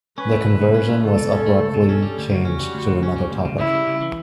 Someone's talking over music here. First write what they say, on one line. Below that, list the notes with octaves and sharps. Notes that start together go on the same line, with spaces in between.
The conversion was abruptly changed to another topic.
C#4 B4
A3
C#2
B2
C#4
A3
C#2 A4
B2
C#4
A3
C#2
B2
C#4
G3
D2
C#3 F#4
C#4
G3
D2
C#3
C#4
G3
D2
C#3
C#3 E4
G3
C#3
E3